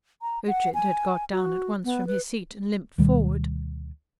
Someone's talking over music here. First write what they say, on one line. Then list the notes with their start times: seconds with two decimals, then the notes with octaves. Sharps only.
Ughtred had got down at once from his seat and limped forward.
0.22 A#5
0.48 F#5
0.74 G#5
1.32 F#4
1.84 B3
2.07 B4
2.98 D2 B2 D#3 G3